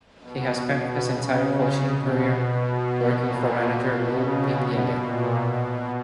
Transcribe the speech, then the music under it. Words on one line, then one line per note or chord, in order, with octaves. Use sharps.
He has spent his entire coaching career working for manager Lou Piniella.
B2
C#3
C#3
B2
B2
A#2
B2
C#3
B2
A#2
B2